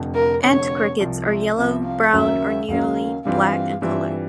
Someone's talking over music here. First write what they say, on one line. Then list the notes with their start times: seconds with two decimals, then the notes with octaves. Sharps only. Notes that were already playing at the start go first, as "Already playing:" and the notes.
Ant Crickets are yellow, brown, or nearly black in color.
Already playing: F1 F2 D3
0.15 A#4
0.43 F1 F2 D3 C#5
1.00 C2 C3 F3
1.28 E5
1.56 C2 C3 F3 E5
1.84 F5
2.13 D#2 C#3 F#3 A#3 C#4 E5
2.68 D#2 C#3 F#3 A#3 C#4 F5
3.25 G2 E3 G3 C4 F4 F5
3.82 G2 E3 G3 C4 F4 E5